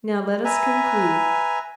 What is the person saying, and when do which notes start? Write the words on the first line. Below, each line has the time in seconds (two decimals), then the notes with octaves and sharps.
Now let us conclude.
0.45 B4 E5 G#5 A#5